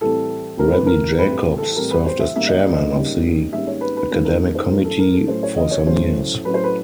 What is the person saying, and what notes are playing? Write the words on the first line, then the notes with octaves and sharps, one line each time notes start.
Rabbi Jacobs served as Chairman of the Academic Committee for some years.
A2 E3 G3 C4 A4
A2 E3 G3 C4 A#4
B4
A#4
A2 E3 G3 C4 B4
A4
A2 E3 G3 C4 A#4
B4
C5
E5
G#2 D#3 G3 A#3 C#4 E5
D#5
D5
D#5
G#2 D#3 G3 A#3 C#4
G#2 D#3 G3 A#3 C#4 E5
C#5
B4
B4
G#2 D#3 G3 A#3 C#4 B4
A#4
A#4
C5
A2 F#3 A3 C#4 A#4
A4
A#4
A4
A2 F#3 A3 C#4 C5
C#5
D#5
C#5
A2 F#3 A3 C#4 C5
A2 F#3 A3 C#4 B4
C5
B4